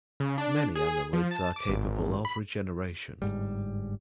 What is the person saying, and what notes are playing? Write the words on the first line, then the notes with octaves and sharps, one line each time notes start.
Many annelids are capable of regeneration.
C#3
D4
G#4
F3
A5
D6
G#1
B5
G1 G#2 G3